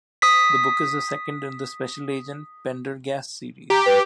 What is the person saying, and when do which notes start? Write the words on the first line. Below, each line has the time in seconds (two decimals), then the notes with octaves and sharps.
The book is the second in the Special Agent Pendergast series.
0.22 D#6 B6
3.70 G4 A#5
3.86 B4